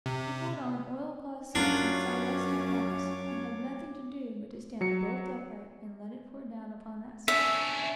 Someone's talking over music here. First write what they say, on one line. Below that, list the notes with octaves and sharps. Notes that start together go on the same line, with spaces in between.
We had on oil-cloth suits and south-wester caps, and had nothing to do but to stand bolt upright and let it pour down upon us.
C3
F#2 F#3 C#4 D4 F4 C#5 D6
F#3 C#7
C#4 D4 E5